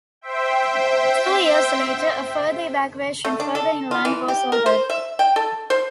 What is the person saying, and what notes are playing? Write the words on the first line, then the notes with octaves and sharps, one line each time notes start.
Two years later a further evacuation further inland was ordered.
C5 E5 G5
A3
D4
A4
F4
E3
G4
A#4
C5
E5
G5
A4
C5